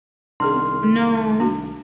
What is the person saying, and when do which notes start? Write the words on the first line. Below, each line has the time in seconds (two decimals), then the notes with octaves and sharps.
Oh, no.
0.40 C2 D#3 D4 G#4 C6 F6
1.40 D4 F#4